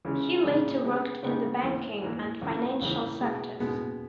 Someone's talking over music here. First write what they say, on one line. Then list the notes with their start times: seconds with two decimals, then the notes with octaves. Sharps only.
He later worked in the banking and financial sectors.
0.05 C#3 E3 G#3 C#4
0.44 C#3 E3 G#3 C#4
0.84 C#3 G#3 B3 D#4 G4
1.23 C#3 G#3 B3 D#4 G4
1.63 G#2 E3 A#3
2.02 G#2 E3 A#3
2.41 C#2 C#3 E3
2.81 C#2 C#3 E3
3.20 B2 G#3 B3
3.60 B2 G#3 B3